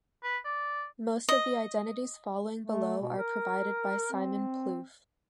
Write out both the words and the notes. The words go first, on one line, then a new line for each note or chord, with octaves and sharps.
Most of the identities following below are provided by Simon Plouffe.
B4
D5
D#5
A3
B2
A#4
C4